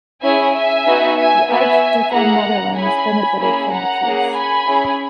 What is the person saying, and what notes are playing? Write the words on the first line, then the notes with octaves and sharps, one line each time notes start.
The Archducal Netherlands benefited from the Truce.
C#4 E4 G#4 E5 G#5
E5 G#5
B3 D#4 F#4
E5 G#5
B3 F#4 E5 G#5
A#3 E4 G#4 F#5 A#5
C#4 E4 G#4 G#5 B5
A#3 C#4 E4 G#4 G#5 B5
F#5 A#5
A#3 C#4 G#4
G#5 B5
C#4 E4 G#4